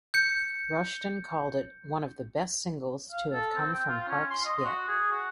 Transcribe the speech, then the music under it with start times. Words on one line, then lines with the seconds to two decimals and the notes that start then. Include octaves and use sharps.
Rushton called it "one of the best singles to have come from Parks yet".
0.14 G6 C#7
3.12 F5
3.33 A4
3.56 C4
3.73 G5
3.88 F4
4.08 C#4
4.31 C6
4.45 D#5
4.65 F#4
4.88 G#4
5.11 F#4